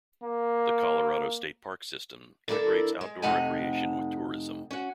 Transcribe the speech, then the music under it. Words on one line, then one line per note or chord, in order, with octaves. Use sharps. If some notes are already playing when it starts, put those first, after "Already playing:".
The Colorado State Parks system integrates outdoor recreation with tourism.
A#3
D3 A#3 E4 G4 A4 A#4
G#3
F2 C3 A3 D#4 F#5 G#5
C#4 F#4